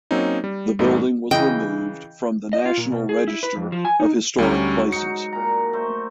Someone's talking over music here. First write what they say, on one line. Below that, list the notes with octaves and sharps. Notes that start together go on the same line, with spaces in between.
The building was removed from the National Register of Historic Places.
F#3 A#3 C4 C#4 D#4
G3
G2 A#2 E3 G3 A3 D#4
C#3 E3 D#5 G5
D#5
F4
A#2
B2
G#4
E4
B4
F2
F3
G#5
D#4
D2 G#2 F#3 G3 C#4 D6
D#4 F#4 C#7
A#2 A#5
A3 C5